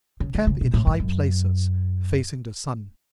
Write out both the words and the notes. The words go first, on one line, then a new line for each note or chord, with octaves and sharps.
Camp in high places, facing the sun.
C#3
D3
C#3
B2
A2
G#2
F#2